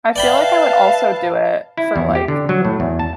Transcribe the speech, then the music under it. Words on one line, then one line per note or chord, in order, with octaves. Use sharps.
I feel like I would also do it for, like,
B4 D5 E5 F5 G5 A5 B5
E4
E2
G4
D3
F#3
A2
E2
A5